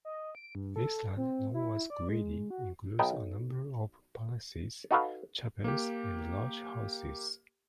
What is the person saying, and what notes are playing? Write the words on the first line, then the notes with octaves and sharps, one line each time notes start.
This land, known as Gwiedi, includes a number of palaces, chapels and large houses.
D#5
D7
G2
A4
C4
E4
D5
G#3
F#4
B1 D#4 B4 G5 A5
D#4 F#4 A4 B4 F5
A#3 G4